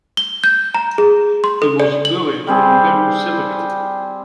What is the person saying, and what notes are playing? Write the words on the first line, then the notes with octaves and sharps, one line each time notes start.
He was buried in Bellu Cemetery.
G7
G6
A#5
G#4
C6
A4
D5
F#7
G3 C4 G#4